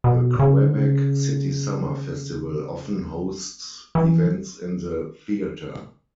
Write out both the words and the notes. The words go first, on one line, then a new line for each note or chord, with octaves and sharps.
The Quebec City Summer Festival often hosts events in the theatre.
B2
C#3
D3
C#3
E3